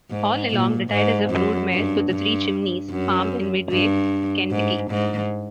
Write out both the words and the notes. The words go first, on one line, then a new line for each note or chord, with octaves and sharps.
All Along retired as a broodmare to the Three Chimneys Farm in Midway, Kentucky.
G#2
A#2
G#2
F#2
G2
G2
F#2
G2
G#2
G#2